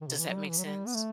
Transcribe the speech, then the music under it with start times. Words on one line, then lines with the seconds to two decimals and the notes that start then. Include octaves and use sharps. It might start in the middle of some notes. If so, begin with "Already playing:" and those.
Does that make sense?
0.01 D#3
0.07 C3
0.19 E3
0.28 F#3
0.36 G3
0.49 E3
0.58 F#3
0.65 G3
0.87 B3
0.95 A3